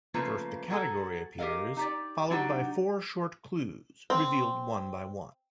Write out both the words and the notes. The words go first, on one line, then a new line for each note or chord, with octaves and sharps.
First the category appears, followed by four short clues revealed one by one.
C#3 F3 A3 A#3 F4 B4
F#3 F#4 G#4 A4
G4 A4 A#4 D#5 F5
D#4 G4 D5
F#3 D4 D#4 F#4 G4
C4